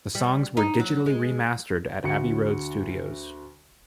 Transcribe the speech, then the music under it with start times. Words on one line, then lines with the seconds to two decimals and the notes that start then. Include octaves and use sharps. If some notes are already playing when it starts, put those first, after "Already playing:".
The songs were digitally remastered at Abbey Road studios.
0.15 G3
0.57 D#4
0.80 F#3
1.06 G#3
2.04 D2 F#4 C#6 C#7